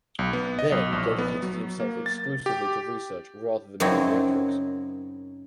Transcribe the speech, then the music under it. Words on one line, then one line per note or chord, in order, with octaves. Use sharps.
There he dedicated himself exclusively to research rather than paediatrics.
B1
B3
D#5
B1
A#1
B3
F#3
A#3
A6
G4
F#2 C#3 F#3 C4 D#4 E4